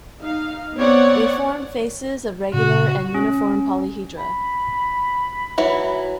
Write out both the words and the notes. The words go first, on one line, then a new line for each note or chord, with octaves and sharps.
They form faces of regular and uniform polyhedra.
D#4 F5
B3 C4 C#5 D5 F#5
A#2 C#3 F#4
C#4
B5
E3 F#3 E4